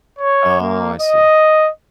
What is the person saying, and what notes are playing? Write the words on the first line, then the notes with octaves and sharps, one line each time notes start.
Oh, I see.
C#5
A#3
D#5